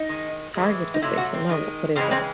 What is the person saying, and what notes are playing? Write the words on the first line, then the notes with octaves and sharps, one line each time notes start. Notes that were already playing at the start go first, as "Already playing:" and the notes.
Target fixation. No. What is that?
Already playing: D#4
D#3 G#3
A2 E3 G#3
D#4
C3 F#3 A3 E4
F#4
C4
D#3 G#3
C#3 E3 G#3 C4
C4